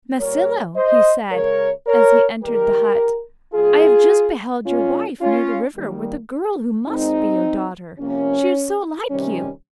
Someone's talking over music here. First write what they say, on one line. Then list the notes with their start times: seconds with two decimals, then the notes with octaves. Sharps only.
'Masilo,' he said, as he entered the hut, 'I have just beheld your wife near the river with a girl who must be your daughter, she is so like you.
0.20 A#2 G3 A#3 A#4 C#5
0.76 C5 D#5
1.31 C#3 G#3 A#4 C#5
1.87 A#4 C#5
2.43 D#3 G3 A#3 G4 A#4
3.54 C3 G3 A#3 F4 G#4
4.65 A#2 G#3 C#4 F4
5.21 C#4 F4
5.77 D#3 G3 A#3
6.88 A#2 G#3 C4 D#4
7.99 C3 F3 A#3 C#4
9.11 C3 D#3 G3 C#4